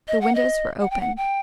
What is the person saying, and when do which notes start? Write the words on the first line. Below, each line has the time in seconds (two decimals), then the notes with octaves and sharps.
The windows were open.
0.08 D#5
0.21 F#5
0.35 D#5
0.80 F#5
0.91 G5
1.01 F#5
1.17 G5